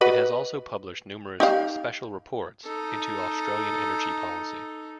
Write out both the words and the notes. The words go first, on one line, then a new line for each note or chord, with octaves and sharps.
It has also published numerous "special reports" into Australian energy policy.
F#4 B4 D#5
D#4 G4 F5
D#4 A4